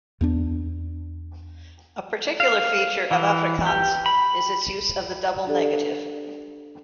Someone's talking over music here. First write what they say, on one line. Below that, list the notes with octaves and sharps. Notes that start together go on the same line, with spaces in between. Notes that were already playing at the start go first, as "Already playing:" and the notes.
A particular feature of Afrikaans is its use of the double negative.
E2 B3 D4
F5
E3
G4
B5
D4 G4 A4 D5